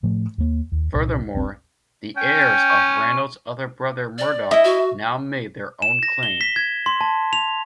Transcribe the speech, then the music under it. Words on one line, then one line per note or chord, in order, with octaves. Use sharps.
Furthermore, the heirs of Ranald's other brother Murdoch now made their own claim.
A2 F3 A3
D#2 A#3
D#2
C2 A#2 D4
D#1 A#1 C4
C#4 G5
C#6
D5
E4 D#5 E5
F#4
E7
A#6
G7
B6
G#6
C6
A5
F7